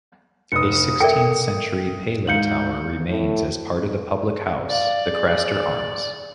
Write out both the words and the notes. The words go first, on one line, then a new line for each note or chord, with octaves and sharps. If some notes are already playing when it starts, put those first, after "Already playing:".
A sixteenth-century pele tower remains as part of the public house, "The Craster Arms".
F1 D#6 C#7
A4 A#4 D5 E5 G5 C#7
G#2 F5 G6 C#7 F#7
A2
D5 F5
G#4